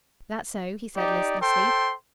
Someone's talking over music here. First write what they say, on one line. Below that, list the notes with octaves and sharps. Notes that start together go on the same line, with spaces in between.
"That so?" he said listlessly.
D#4 G4 D5
A4 C5 G5 C6